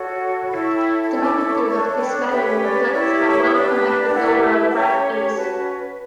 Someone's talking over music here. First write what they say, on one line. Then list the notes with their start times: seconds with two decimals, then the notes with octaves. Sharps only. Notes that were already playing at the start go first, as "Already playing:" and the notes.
The magnitude of this value reflects how well connected the overall graph is.
Already playing: F#4 A4 C#5
0.49 E4 A4 C#5 B5
0.62 C#6
0.76 G5 B5
1.04 A5
1.09 E4 A4 C#5 G5 B5
1.25 B5 D6
1.40 B5 D6
1.51 C#6
1.55 B5 D6
1.66 B5
1.70 D4 A4 C#5 A5 C#6
2.01 G5 B5
2.32 C#4 G4 B4 E5 G5
2.63 D5
2.93 E4 G4 C#5
3.54 D4 G4 B4
4.10 G5
4.14 E4 G4 B4 D5 F#5
4.71 F#5
4.75 C#4 G4 C#5 E5 G5
5.36 C#4 F#4 B4 F#5 A5